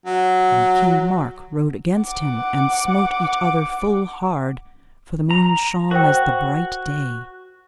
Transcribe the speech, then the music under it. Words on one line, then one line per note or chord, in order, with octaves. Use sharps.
And King Mark rode against him, and smote each other full hard, for the moon shone as the bright day.
F#3
F#5 D6
A#5
F#4 A#4 C5 G5